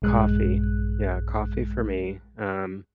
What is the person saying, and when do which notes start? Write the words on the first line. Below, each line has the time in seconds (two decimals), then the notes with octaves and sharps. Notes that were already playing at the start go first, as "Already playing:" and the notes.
Coffee. Yeah. Coffee for me. Um
0.02 A#1 G2 G#3 F#6